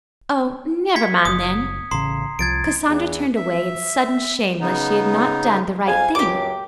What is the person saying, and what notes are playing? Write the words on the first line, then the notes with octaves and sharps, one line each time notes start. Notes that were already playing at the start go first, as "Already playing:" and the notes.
"Oh, never mind, then." Cassandra turned away in sudden shame lest she had not done the right thing.
G#6 B6 C#7
F#1 D#6
A1 C#3 A#5 C6 C7
C2 F3 G#6 A6 D7
E2
E5
C#3 B3 D#4
F2 F5 G#5
C#2 F#2 G4 D6